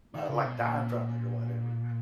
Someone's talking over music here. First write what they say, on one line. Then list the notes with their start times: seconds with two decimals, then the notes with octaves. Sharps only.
uh like dying from it or whatever.
0.14 D#3
0.29 C#3
0.44 B2
0.59 A#2